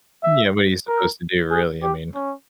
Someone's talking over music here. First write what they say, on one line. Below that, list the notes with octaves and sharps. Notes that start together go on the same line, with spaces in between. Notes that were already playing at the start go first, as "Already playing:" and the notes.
Yeah, what are you supposed to do, really, I mean.
E5
A#4
G#4
G4
C#4